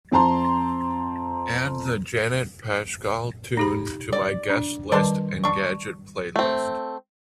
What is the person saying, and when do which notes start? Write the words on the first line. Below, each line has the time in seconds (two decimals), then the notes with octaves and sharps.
Add the Janet Paschal tune to my guest list engadget playlist.
0.12 F2 C4 A5 A#5 C6
3.57 D#4 G4 B5
4.13 D5
4.50 D4
4.92 D#3 G3 B4 D5 A5 C6
5.44 D4 C#6
6.36 A3 C4